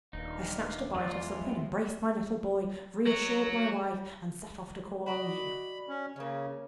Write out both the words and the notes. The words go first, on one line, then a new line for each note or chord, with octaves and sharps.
I snatched a bite of something, embraced my little boy, reassured my wife and set off to call on you.
D#1 D4 D#4 B4 F5
E2 G#3 F4 D5
A2
F#3 F#4
F#4 D5 D#5 B5
C#4
C#3 A#3 C#4